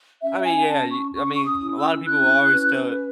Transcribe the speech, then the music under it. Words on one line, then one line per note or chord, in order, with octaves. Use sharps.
I mean, yeah, y I mean, a lotta people will always tell
C#4 E5
G#5
C#4 A5
C#6
C#4 C#6
C#6
D#6
E4
E6
C#4 F#6
B4